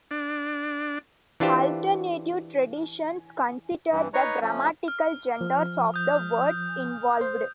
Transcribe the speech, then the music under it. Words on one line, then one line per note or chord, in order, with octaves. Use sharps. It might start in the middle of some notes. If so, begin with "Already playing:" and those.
Alternative traditions consider the grammatical genders of the words involved.
D4
E3 D4 F4 G4 C5
G2 E3
D#4 B4 C#5 D#5 A#5 C#6
F3 A3 C#4
F6
F3
D#6 G6
C5